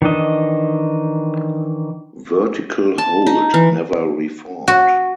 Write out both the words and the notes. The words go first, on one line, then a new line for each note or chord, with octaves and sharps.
Vertical Hold never reformed.
D#3 E3 D4 D#5
A5
D#4
E3
F#4